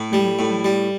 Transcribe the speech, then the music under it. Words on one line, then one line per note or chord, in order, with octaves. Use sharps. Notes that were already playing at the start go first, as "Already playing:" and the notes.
Mhm, mhm.
Already playing: A2
G3
A2
G3